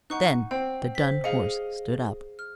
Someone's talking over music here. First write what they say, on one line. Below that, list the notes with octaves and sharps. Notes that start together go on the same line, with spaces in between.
Then the dun horse stood up.
D#4 F#5 C#6 F#6
C4 G5
C5 B6
G#4 D#5 F5 C#7
F6